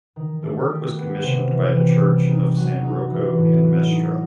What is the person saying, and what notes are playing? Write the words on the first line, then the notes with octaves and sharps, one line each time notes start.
The work was commissioned by the church of San Rocco in Mestre.
D#3
A3
G4
B3
C3
E3
G4
G3
D#4
F#3
D#4
E3
A2
F#3
D#4